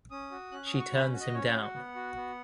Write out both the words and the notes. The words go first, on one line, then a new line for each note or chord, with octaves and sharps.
She turns him down.
C#4 D#6
F#4
C#4 F#6
D#6
F#4
C#6
C#4 B5
F#4
D#5
C#4 C#5
C#5
F#4
F#5
B3
F#4
B3